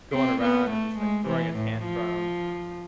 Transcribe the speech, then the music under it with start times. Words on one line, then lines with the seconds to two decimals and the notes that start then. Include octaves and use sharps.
going around and just, like, throwing a tantrum,
0.12 C4
0.41 B3
0.70 A3
0.98 G#3
1.26 E3
1.56 A2
1.84 F3